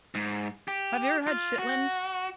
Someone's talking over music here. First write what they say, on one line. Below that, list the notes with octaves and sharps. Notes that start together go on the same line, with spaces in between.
Have you ever had chitlins?
G#2
G4
F4
F#4